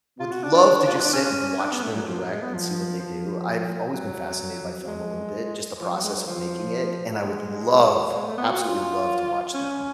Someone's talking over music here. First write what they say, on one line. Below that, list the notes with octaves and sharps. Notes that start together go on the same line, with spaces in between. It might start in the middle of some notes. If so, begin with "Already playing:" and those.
would love to just sit and watch them direct, and see what they do. I've always been fascinated by film a little bit, just the process of making it, and I would love, absolutely love, to watch them,
F4
F#4
D4
D4
F4
D4
C#4
D4
B3
A3
F#3
F3
F#3
G#3
B3
F3
F3
F#3
G#3
F3
F#3
G#3
F#3
F3
G#3
G#3
A3
B3
F#4
F4
C#4